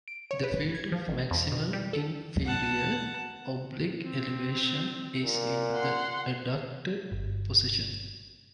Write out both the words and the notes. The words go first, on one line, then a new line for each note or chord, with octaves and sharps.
The field of maximal inferior oblique elevation is in the adducted position.
D7
C#5
B4
G#6
F3
A1
F2
B2
G3
A4
F#5 A5
C4
A#2
F#5 C6
G1